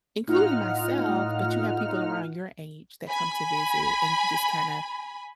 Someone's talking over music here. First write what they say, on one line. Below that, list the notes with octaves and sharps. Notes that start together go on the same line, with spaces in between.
including myself, but you have people around your age that come to visit, and you just kinda
A2 D#4 F4 F#5 F6
G#5 B5